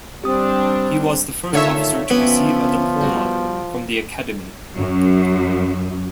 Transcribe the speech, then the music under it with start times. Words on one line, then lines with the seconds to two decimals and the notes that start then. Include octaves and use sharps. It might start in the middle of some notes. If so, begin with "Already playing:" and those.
He was the first officer to receive a diploma from the Academy.
0.24 G3 C4 D4 G4 D#6
1.53 D3 D#3 A3 F4 C#5 E5
2.10 F3 B3 C#4 D5 G5
3.01 G3 F#4
4.75 F#2